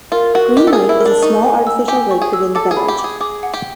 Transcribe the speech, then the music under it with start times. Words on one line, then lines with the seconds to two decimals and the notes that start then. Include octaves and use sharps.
Green Lake is a small artificial lake within the village.
0.12 F4 A#4
0.34 F#4 A#4
0.56 G4 D#5
0.67 A4
0.73 G#4
0.79 A#4
0.89 E4
1.01 A#4
1.06 D4
1.22 D#4 C#6
1.44 G#5
1.67 E6
1.88 G4 G#5
2.11 C#6
2.22 G#4
2.33 E6
2.55 A4 D6
2.71 G#4
2.77 B5
2.88 G4
2.98 D6
3.04 G#4
3.20 G#4 D6
3.43 F#5
3.54 G4